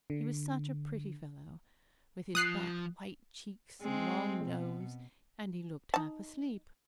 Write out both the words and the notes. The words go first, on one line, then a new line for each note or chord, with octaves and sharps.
He was such a pretty fellow, with his fat white cheeks and long nose, and he looked half asleep.
D3
F3 D#6 F#6 C7
G#3 C4
B2
D#4 A5